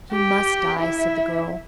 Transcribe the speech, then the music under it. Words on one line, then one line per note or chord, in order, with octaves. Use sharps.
"He must die," said the girl.
G4
E4